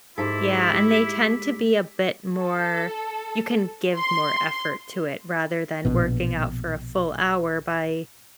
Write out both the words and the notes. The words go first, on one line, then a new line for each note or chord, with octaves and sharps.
Yeah, and they tend to be a bit more you can give more effort to it rather than working out for a full hour, by
G#2 E4 G4 A4 B6
A4
C6
A#1 B2